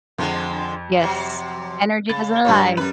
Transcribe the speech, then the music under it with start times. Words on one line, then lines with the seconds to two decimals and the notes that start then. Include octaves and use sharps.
Yes. Energy doesn't lie.
0.18 F2 D3 F3 G#3
1.01 C3 F#3
2.09 C#3 A6
2.45 G2 A#2 A#3 G4 B4 C#5
2.77 F#2 G3 B4